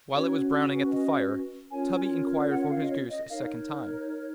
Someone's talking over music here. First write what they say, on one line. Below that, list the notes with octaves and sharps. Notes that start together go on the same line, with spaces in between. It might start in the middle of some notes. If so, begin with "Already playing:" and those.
While it was browning at the fire, Tubby inquired for his goose a second time.
C#4 F#4 B4 C#5
D#5
C#4 F4 A#4 C#5 G#5
F#5
F#5
F5
D#5
C#5
D#5
D#4 A#4 C#5 F5